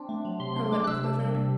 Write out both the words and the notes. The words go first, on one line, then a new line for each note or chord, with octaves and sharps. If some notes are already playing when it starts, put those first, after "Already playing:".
Her lip quivered.
Already playing: C4 D4
A3
F#3
C3 C6
D4 C6
A3 D6
F#6
C3 E6
D4
G3
C3